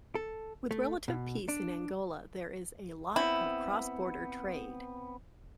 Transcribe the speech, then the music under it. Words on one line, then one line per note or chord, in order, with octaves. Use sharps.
With relative peace in Angola there is a lot of cross border trade.
A4
A3
B2
D4
B3 C4 E4